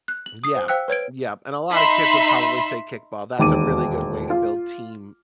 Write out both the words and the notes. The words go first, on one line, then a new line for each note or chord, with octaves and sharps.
Yep. Yep, and a lotta kids would probably say kickball, that's a really good way to build team,
F#6
F#7
D#6 C7
C5
C5 F5 G5 E6 F#6
B4 C#5 G#6 D7
D#4 E5 B5 C6
E1 D#2 D6 D#7
F4